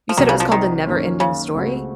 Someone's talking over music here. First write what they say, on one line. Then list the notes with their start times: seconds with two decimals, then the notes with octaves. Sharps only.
You said it was called The NeverEnding Story?
0.09 F3
0.17 C2 C3 D#3 F#3
0.29 C#3
0.40 F3
0.52 D#3
0.86 F#2 D#3 A#3 C#4
1.20 C#3
1.54 C#2 C#3 A3 C4 F#4